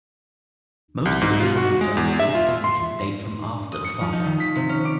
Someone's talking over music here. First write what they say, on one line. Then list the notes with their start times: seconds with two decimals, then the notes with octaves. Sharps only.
Most of the buildings that are still standing date from after the fire.
1.05 C2
1.22 G#2
1.40 F4
1.57 F#4
1.81 G#3
1.97 E2
2.20 E5
2.35 F4
2.64 C6
3.72 D#6
3.84 C#7
4.01 F3
4.13 D#4
4.25 D#3
4.40 B6
4.56 C3
4.69 C#4
4.85 D6